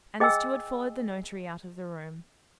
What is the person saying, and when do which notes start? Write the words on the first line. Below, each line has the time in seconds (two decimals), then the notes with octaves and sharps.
And the steward followed the notary out of the room.
0.20 G#4 D#5 G5 G#5 E6